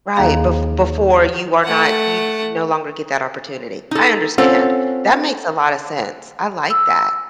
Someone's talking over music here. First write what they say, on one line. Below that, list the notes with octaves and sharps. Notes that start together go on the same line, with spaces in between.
Right, bef before, you are not you no longer get that opportunity. I understand. That makes a lot of sense. I like that.
D#2 D#3 A#3 G#4 F5 A#5
A3 F#5
D#4 A4
C4 C#4 F4 A4 F#5
E6